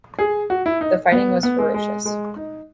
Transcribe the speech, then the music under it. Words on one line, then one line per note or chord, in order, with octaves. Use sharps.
The fighting was ferocious.
G#4
F#4
E4
D#4
B3
B3
G#3
G#3
G#3
D#4